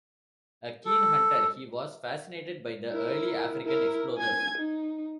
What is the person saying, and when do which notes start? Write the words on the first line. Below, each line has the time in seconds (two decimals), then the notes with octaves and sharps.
A keen hunter, he was fascinated by the early African explorers.
0.85 A4
2.91 E4 A#4
3.65 E4 A#4
4.18 G#5 G#6
4.58 D#4